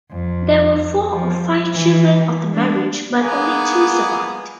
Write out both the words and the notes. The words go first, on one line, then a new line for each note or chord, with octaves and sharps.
There were four or five children of the marriage, but only two survived.
F2
F3
E3
D4
A#3 B3 G#4